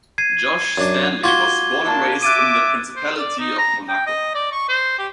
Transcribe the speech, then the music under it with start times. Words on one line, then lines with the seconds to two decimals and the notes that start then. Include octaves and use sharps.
Josh Stanley was born and raised in the Principality of Monaco.
0.18 G#6 C7 D#7
0.78 F#2 D4
1.24 F4 F#4 D6 G#6 G7
1.86 A#3 D4 A5
2.23 E5 D6 F#6 A6 D#7
2.96 C5
3.19 D5
3.40 D#4
3.58 A#5
3.89 G5
4.07 D#5
4.35 D5
4.52 C#6
4.69 C5
4.99 G4